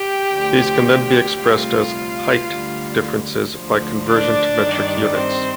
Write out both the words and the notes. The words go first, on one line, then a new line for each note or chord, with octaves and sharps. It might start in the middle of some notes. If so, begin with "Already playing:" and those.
These can then be expressed as "height" differences by conversion to metric units.
Already playing: G4 G5
D2 D3 F3
D2 C3 G3 F4 F5
D2 D3 G3
D2 D3 F3
D4 D5
G2 D#3 G3
C4 C5